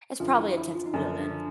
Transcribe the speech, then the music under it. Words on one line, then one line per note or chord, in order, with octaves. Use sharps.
It's probably a tuxedo then.
F#2 D3 F3 F4
E4
E4
F4
D#4
F#2 D3 F3 D4
D4